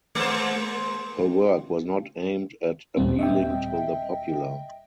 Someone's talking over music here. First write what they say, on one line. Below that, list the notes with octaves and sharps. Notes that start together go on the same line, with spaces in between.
Her work was not aimed at appealing to the popular.
G#3 A#3 C5
D#2 A#2 G3 C4
D#5 E5 G5